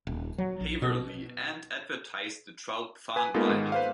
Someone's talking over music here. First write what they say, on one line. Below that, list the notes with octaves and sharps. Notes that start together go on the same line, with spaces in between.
Haverly and advertised the troupe far and wide.
D#1
F#3
A#1
B2
B4 G#5
G#3 A#3 B3 D#4 F4 A4
G#2 D#3
B4 C5 F5